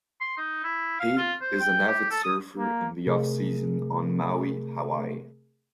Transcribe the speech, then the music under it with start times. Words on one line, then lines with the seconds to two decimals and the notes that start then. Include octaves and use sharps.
He is an avid surfer in the off season on Maui, Hawaii.
0.21 C6
0.38 D#4
0.64 E4
1.00 F5
1.18 F4
1.41 C5
1.60 G5
1.87 G4
2.11 A4
2.23 D#6
2.58 A#3
3.07 C3 A3 G#4 A#4